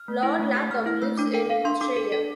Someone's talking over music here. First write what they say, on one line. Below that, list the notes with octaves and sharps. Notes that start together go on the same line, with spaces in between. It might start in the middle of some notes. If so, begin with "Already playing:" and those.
Lord Latham lives in Australia.
Already playing: F6
A3
E4
A3
G4 E6
A3 F6
E4 F6
A3 E6
D4 D6
A4 G5
A4 F5
D4 C6
D4 D6
A4
A4